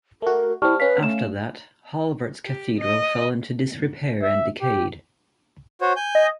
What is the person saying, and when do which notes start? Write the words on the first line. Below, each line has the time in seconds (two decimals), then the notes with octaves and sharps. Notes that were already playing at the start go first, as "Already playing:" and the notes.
After that, Hallvards Cathedral fell into disrepair and decayed.
0.22 A3 F#4 A#4
0.62 G3 C4 E4 A5 C#6 F6
0.80 C#4 B4 F5 B6
1.03 A3 E7
2.45 G4
2.78 D#5
4.22 E5
4.62 G4
5.81 F#4 C5 C#5
5.96 G#5 G6
6.15 D#5